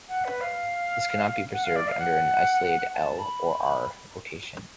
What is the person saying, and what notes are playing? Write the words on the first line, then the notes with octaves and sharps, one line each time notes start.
This cannot be preserved under an isolated "L" or "R" rotation.
F#5
B4
F5
F#5
F5
D5
F5
F#5
A5
B5